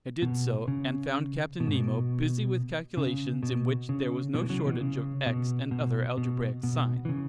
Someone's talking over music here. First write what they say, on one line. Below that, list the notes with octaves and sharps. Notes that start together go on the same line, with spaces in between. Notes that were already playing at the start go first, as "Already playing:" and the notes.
I did so and found Captain Nemo busy with calculations in which there was no shortage of X and other algebraic signs.
B2
C#3
B2
G#2
B2
C#3
B2
C#3
B2 E3
C#3 F#3
B2 E3
C#3
B2
B2
B2
B2
E3
C#3